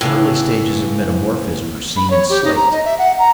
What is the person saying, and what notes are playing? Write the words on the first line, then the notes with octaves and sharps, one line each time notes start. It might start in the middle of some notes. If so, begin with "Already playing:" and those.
Early stages of metamorphism are seen in SLATE.
A2 C#3 E3
B5
C#5
G4
D#4
A#5
D#5
E5
F#5
A#5